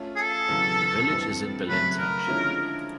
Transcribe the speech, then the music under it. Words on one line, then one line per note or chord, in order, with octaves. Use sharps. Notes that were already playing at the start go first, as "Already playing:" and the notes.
The village is in Berlin Township.
Already playing: A3 C#4 F4
G#4
A4
E2 C#3 F#3
G2 E3 G3 C4
C#3 F#3 A3 B4
A#4
D3 F3 G#3 C#4 E4